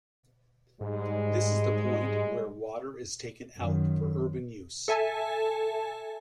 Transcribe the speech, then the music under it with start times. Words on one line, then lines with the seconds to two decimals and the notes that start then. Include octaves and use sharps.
This is the point where water is taken out for urban use.
0.81 G#2 G3 G#3
3.58 F#2 D#3
4.88 A4 E5 G#5 A5